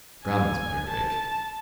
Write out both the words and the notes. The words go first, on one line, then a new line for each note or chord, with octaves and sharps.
"Drums?" muttered Drake.
G#5
A5